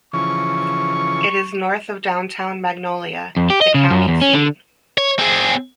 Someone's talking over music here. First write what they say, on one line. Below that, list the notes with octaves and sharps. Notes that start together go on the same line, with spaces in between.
It is north of downtown Magnolia, the county seat.
C#3 E3 F3 C#6
F2
G4
D#5
C#3
F#2
E2
C#4
D3
C#5
C4 G#4